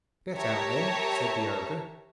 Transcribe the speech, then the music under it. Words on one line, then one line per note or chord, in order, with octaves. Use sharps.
'Get out, then!' said the ogre.
G4 A#4 C#5 E5 A5 A#5